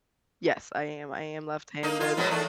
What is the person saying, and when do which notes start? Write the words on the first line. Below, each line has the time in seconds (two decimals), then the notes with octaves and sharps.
Yes, I am, I am left-handed,
1.83 A#3 D#4
2.00 F4
2.17 G#2 B2 F#3
2.29 E2 A3